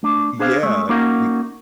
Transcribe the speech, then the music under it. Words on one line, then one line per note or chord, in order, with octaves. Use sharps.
yeah, you
A3 D4
D4 G#4 C5 F5
G#3 A3
A#3 C#4 D#4 F#4 A#4 F5